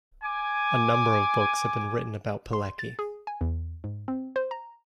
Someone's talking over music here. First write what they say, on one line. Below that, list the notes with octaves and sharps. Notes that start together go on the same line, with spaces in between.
A number of books have been written about Pilecki.
G#5 D6
C6
A6
G#4
G#5
E2
G#2
C4
C5
A#5